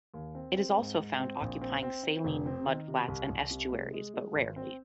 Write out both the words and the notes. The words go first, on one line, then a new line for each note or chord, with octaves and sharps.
It is also found occupying saline mudflats and estuaries, but rarely.
D#2
C4
C4
G#2
G#2
C4
A#1
C4
C4
C4
F1
C4
D#3
C3
C2
C2
C3
G#3
G#3
G#3
G#1
C4